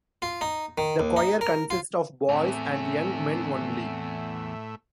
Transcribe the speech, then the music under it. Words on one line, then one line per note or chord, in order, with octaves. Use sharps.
The choir consists of boys and young men only.
F4
D#4
D#3
D#2
D#4
A#4
F4
E2 A2 A3 C4 E5